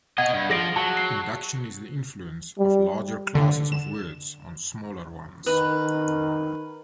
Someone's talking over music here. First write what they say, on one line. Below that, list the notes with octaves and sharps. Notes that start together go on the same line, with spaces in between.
Induction is the influence of larger classes of words on smaller ones.
B2 D#5 F#5 G#6
G2
F3 G#4 A#6 D7
F#3 A5
C7
G3
D3
E7
D#3 B4